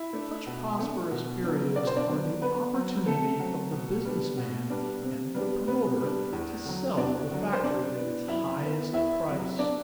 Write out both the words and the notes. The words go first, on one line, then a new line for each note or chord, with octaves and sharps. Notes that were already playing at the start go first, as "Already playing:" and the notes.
Such prosperous periods are the opportunity of the business man and of the promoter to sell the factory at its highest price.
Already playing: E4 E5
A3 D4
B2
A3 D4
B2
F#3 B3 D4
B2 D5
C5
D4 D5
F#3 B3 D4
D3 B3 B4
F#3 C4
D3 A3 A4
F#3 C4
B2
G3 B3 D4
B2
G3 B3 D4
C3
G3 B3 D4
C3 B3 B4
G3 B3 D4
E2
D3 F#3
E2 D4 D5
D3 F#3
C5
F#2 D4 D5
E3 B3
F#2 E4 E5
E3 B3
E2 E4 E5
C3 F#3
D4 D5